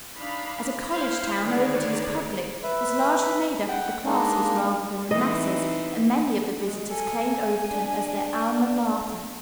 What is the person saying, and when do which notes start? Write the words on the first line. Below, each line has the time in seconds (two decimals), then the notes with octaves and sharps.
As a college town Overton's "public" was largely made up of the classes rather than the masses, and many of the visitors claimed Overton as their Alma Mater.
0.16 D4 D#4 F5 B5
0.89 E4 C5 F5 B5 C6
1.39 D3 D#3 G#4 B4 C#5 D5
2.63 B4 E5
3.68 F#5 G5
4.06 G#3 A#3 D4 D#4
5.11 E3 C4 D#4 D#5
6.66 G#3
6.90 A4 G#5
7.71 D4